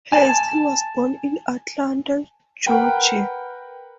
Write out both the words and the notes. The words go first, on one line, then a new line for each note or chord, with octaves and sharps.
Hensley was born in Atlanta, Georgia.
G#5 A5
A#4 B4 F#5 G5